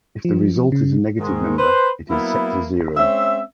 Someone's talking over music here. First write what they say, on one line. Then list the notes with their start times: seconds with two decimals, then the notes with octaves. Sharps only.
If the result is a negative number, it is set to zero.
0.25 F3
0.72 C#3
1.20 G#2 D#3 G#3
1.59 B4 C5
2.10 F#3 A#3 B3 E4
2.97 G#3 C4 C#4 E5